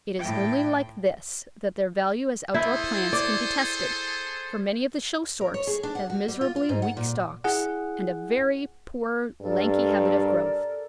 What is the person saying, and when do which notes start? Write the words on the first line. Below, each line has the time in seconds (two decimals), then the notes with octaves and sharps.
It is only like this that their value as outdoor plants can be tested; for many of the show sorts have miserably weak stalks, and a very poor, lanky habit of growth.
0.20 A2 G5
2.54 E4 G#4 A4 C5
3.13 D5
5.41 A#4
5.54 C#5
5.67 G#4
5.83 D4
5.95 F#5
6.10 F#4
6.28 G3
6.41 F4
6.56 F4
6.69 G#2
6.82 F#5
6.97 A#2
7.44 E4 G#4 F#5
9.41 G2 A4 A#4 D5